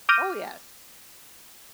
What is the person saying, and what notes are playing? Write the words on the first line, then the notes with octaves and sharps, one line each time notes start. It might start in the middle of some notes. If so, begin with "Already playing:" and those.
Oh, yes.
D6 F6 G6 A#6 D#7